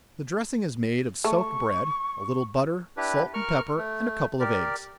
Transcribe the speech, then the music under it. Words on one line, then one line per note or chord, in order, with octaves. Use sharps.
The dressing is made of soaked bread, a little butter, salt, and pepper, and a couple of eggs.
A3 C#6
D4 E4 G4 B4
A#4 C#6 F6
A3
G4 A#4 D5